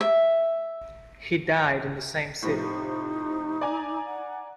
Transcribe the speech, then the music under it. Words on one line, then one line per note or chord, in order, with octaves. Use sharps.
He died in the same city.
E5
A2 C3 F3 D#4
D5 G#5 A#5
F#5